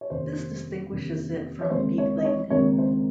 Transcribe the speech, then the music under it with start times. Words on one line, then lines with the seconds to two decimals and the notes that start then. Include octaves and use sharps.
This distinguishes it from Beetling.
0.01 C#5
0.10 F1 D#2 D#3 A#3 C#4 C5
0.91 F1 D#2 D#3 A#3 C#4
1.61 C#5
1.70 C#2 C3 D#3 A#3 C5
1.98 C#5
2.18 D#5
2.25 C#5
2.50 C#2 C3 D#3 A#3 C#5
2.78 C5